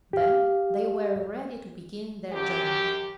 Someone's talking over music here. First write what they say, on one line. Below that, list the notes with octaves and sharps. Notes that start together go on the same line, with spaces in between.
Then they were ready to begin their journeying.
G4 F5
F#2 G4